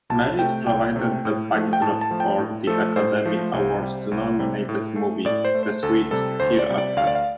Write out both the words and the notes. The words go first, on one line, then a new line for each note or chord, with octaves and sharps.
Merritt provided the backdrop for the Academy Award-nominated movie "The Sweet Hereafter".
C2 A5
C3 A3 G5
C2 G5
C3 A3
A2
F3 A3
G5
A2 A5
A5
F3 A3
G5
A2
F3 A3 A4
A2 C5
F3 A3
C2
C3 G3
C2
C3 G3
A2
A3
A2 D5
C5
A3
C5
D2 A4
C3 G3 A4
D2 C5
D5
C3 G3
D5
D2 F5
D5
F5